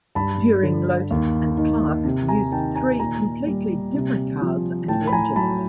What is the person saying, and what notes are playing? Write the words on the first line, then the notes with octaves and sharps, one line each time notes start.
During Lotus and Clark used three completely different cars and engines.
G2 A5 B5
D3
D#2
D#3
C3
G#5 A#5
D#3 G5 A5
G#5 A#5
A#2 G#5 A#5
G3
C3
F3
A2 G5 A5
B5
G#5 A#5
F#3 A5 B5